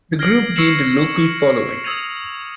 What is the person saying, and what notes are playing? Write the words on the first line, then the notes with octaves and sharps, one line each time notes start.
The group gained a local following.
F6 G#6 A#6 C7 D7 F#7
C#6 E6 C7 C#7 E7 F#7
D#6 E6 G#6 D#7 F7